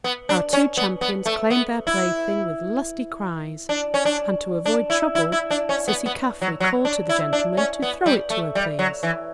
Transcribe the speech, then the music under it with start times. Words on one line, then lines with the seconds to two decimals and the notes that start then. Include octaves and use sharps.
Our two champions claimed their plaything with lusty cries and to avoid trouble Cissy Caffrey called to the gentleman to throw it to her please.
0.04 B3
0.29 D4
0.53 C#4
0.77 B3
1.01 B3
1.26 A3
1.50 B3
1.87 E4
3.69 D4
3.94 C#4
4.05 D4
4.66 D4
4.90 E4
5.15 E4
5.32 E4
5.51 D4
5.69 C#4
5.88 B3
6.06 B3
6.42 F#3
6.60 F#3
6.85 D4
7.09 E4
7.33 D4
7.57 C#4
7.82 B3
8.06 G3
8.30 A3
8.55 G3
8.79 F#3
9.03 E3